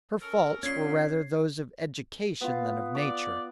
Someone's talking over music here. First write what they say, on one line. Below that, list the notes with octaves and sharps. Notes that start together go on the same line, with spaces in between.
Her faults were rather those of education than of nature.
C#4 A4 A#4
A#2 C#4 G#6 C7
B3 F4
D5 D6